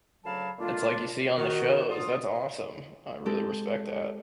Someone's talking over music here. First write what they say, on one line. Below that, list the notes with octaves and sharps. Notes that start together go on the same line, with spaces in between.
that's like you see on the shows, that's awesome. I really respect that.
D2 C#3 F#3 F5 A5 B5
A#2 D3 G#3 A#3 D4 F4
D#3 F#4
D3 F4 D#6
G#3 C4 G4 A4 G5